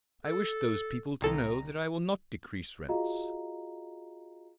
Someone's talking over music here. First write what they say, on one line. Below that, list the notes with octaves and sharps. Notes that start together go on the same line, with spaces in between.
I wish those people to know that I will not decrease rents.
A4
C2 A4 A#5
F4 F#4 G#4 D#5 F5 A#5